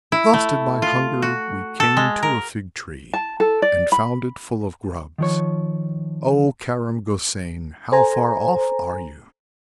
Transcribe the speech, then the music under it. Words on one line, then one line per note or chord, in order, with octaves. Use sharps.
"Exhausted by hunger we came to a fig-tree, And found it full of grubs, O Karam Gosain, how far off are you?"
E4
A3
F4
F#4
A4
G#3
A#4
A5
A4
D5
B5
D#3 F3 C#5
A4 C5 G#5 A#5